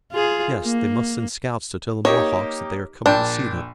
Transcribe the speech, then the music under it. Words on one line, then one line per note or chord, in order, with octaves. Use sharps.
Yes, they must send scouts to tell the Mohawks that they are coming to see them.
F4 G#4
A#3
A#3 D#4 G4 C#5
A#1 D4 G5